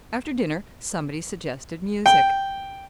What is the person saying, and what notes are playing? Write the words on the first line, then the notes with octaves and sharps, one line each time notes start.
After dinner somebody suggested music.
G5